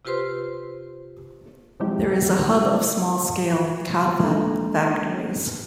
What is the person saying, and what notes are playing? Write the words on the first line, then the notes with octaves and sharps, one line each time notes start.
There is a hub of small scale Katha factories.
C3 F4 G4 B4 C5 C6
C3 F3 F#3 G#3 E4 G4
C#2 G#3 A#3 D4 A4 A#5